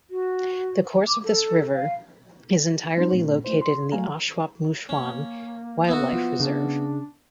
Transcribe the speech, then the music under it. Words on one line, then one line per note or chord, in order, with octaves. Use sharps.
The course of this river is entirely located in the Ashuapmushuan Wildlife Reserve.
F#4
D6
A4
F5
G3 C4 C#4 D#4 C5
A#2 A3 C4 C#4
A3 E4 C5
C6
F#3 G3 A3 F5 G#5 A#5
A#3 C#4
B3 E4 F#4
F3
C#3 D4